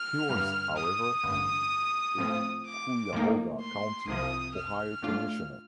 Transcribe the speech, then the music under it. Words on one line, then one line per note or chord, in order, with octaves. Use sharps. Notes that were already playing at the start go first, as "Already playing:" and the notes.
He was, however, a Cuyahoga County, Ohio Commissioner.
Already playing: F6
G2 D3 G3
D#6
A1 G2 D3
A2 F3 C4 F4
D6
A2 F3 A#3 D#4
C6
C2 C3 F3 D#6
F6
A2 A3 D4 F4